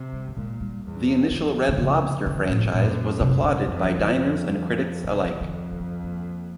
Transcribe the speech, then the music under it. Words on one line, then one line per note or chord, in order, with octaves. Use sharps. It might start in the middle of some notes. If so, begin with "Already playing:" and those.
The initial Red Lobster franchise was applauded by diners and critics alike.
Already playing: C3
G3
G3
A#2 G#3
G3
E2
F2 D3
D3
C#3
F2 D3
A2
A2
F#2 A#2
C3
D3
F2 F3
E3
D3
F2
B2
F2 C3
D3
D#3
E3
F3
A#3